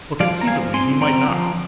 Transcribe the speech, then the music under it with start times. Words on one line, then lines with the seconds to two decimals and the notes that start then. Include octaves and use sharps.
But conceivably he might not.
0.20 F3 D5 F5
0.41 A#5
0.47 F3 F5 G#5
0.74 C4 G#5 C6
1.01 C4 G5 A#5
1.28 F3